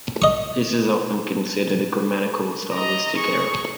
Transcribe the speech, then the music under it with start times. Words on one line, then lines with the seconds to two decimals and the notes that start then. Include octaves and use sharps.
This is often considered a grammatical or stylistic error.
0.22 D#5 C#6
2.74 D#5 A#5
3.17 G#4 C#6